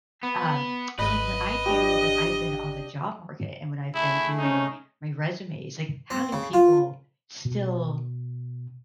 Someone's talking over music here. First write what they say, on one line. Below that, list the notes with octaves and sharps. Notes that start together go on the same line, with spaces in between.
um, but, like, when I do like, I've been on the job market, and when I've been doing my resumes, like, how do people still
B3
G#1 B4 D#5
D4 G4
A3 E4 G#4
C#4 D#4
C4
C#3
F4
B2